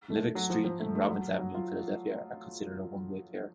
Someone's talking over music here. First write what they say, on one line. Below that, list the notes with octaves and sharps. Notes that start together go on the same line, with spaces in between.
Levick Street and Robbins Avenue in Philadelphia are considered a one-way pair.
A3
F#3
F3
F3
A3
A3
F#3
F#3
F4